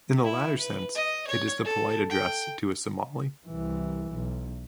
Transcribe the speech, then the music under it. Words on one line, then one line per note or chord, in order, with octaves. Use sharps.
In the latter sense it is the polite address to a Somali.
E4
B4
D#5
C#5
A4
G5
C2 E3
B1